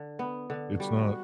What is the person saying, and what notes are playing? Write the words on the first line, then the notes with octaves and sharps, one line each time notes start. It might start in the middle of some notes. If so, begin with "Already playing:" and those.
It's not,
Already playing: D3
B3
D3
G3 F#4